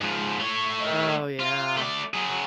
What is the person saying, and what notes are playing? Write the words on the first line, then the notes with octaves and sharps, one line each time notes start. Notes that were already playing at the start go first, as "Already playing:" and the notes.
Oh, yeah.
G#2 F3
A3 C#5
F4
A3 D5
F#3 G#4